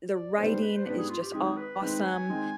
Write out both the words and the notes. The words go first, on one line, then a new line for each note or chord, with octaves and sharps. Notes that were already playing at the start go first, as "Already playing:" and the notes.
the writing is just awesome,
D5
G#2 G3 B3 D4 C5
B4
C5
G#2 G3 B3 D4 B4
G#4
F4
G4
D#3 G#3 C4 D#4 G#4
G#4
B4
D#3 G#3 C4 D#4 B4
G#5
D#3 G#3 C4 D#4